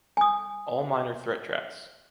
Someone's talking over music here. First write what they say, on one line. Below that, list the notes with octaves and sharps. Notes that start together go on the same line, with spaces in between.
All Minor Threat tracks.
G#5 D#6